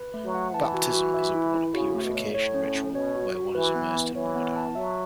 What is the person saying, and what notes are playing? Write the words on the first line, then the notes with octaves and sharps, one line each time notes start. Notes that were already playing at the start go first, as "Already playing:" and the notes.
Baptism is a water purification ritual where one is immersed in water.
Already playing: B4
A3
F#3
F#5
E3 A5
F#4
F#4
E5
E4
E4
C#3 F#4
A3
B2
C#5
A2 C#5
C#4
C#4
B2 C#5
F#4
F#4
E3 B4
B3
B3
E3 C#5
B3
A5
F#3 E5